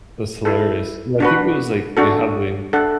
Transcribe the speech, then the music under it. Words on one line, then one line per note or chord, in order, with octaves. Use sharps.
That's hilarious. Yeah, I think it was like they how they
E4 A4
D4 F#4 B4
D4 F#4 A4
D4 A4 F#5